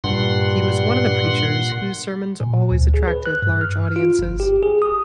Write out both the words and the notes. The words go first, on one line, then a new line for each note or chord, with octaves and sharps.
He was one of the preachers whose sermons always attracted large audiences.
G2 A#2 F#5 C6
A#2
D2
G#4
B4
F#6
G2
F6
F4
G1
G4
G#4
D#6